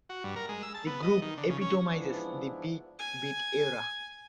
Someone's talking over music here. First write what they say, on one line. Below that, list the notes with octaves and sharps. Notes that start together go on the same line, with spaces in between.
The group epitomises the big beat era.
F#4
G2
A#4
G#3
E6
A5
B3
D#5
D#3
D3
C#3
C#4
G#2 E3 F3 B3 D4 E4
G#5